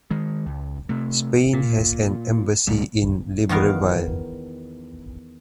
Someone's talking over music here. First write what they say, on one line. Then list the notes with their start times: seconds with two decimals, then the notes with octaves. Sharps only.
Spain has an embassy in Libreville.
0.10 D#3 G#3
0.46 C#2
0.89 C3 A3
1.53 A#2
2.67 G1 C#2 A#2 G3
3.49 E2 D#3 B3 A#4 F5